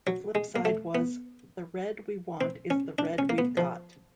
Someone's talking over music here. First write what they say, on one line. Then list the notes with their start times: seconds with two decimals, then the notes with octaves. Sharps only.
The flip side was "The Red We Want Is the Red We've Got".
0.07 F#3
0.35 G#3
0.56 A#3
0.65 A3
0.95 B3
2.41 C4
2.70 C#4
2.99 D4
3.18 C#4
3.29 A#3
3.38 B3
3.57 F3